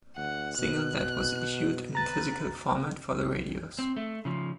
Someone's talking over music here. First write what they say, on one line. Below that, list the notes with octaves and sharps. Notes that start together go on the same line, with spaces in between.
Single that was issued in physical format for the radios.
D2 F#5
B2 F#6
B4 A#5 A6
C4
A3
C#3 F3